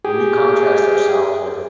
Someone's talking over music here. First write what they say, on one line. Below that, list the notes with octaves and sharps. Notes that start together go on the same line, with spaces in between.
When we contrast ourselves with
G4 G#4